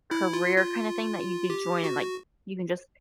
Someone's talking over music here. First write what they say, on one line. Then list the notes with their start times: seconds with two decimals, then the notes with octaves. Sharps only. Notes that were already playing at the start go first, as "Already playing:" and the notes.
career kind of thing that you could join and, like, you can just,
0.11 E4
0.33 F4
0.57 F4
1.50 G4
1.84 F#4